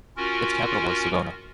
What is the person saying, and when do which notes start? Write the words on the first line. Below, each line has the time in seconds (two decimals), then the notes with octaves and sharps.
Its capital was Savona.
0.17 C#4 F4 F#4 A#4